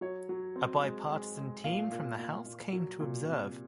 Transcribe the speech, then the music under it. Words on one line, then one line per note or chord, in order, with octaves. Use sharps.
A bipartisan team from the House came to observe.
F#3 C#5
F#3
C4
G#3
G#3
G#3
A#2 F5
A#2
A#2
A#2
F#3
A#2
C3